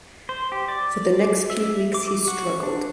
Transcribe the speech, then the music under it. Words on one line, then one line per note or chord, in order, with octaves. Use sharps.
For the next few weeks he struggled.
C5
G4
D5
E5
D6
F#4
D4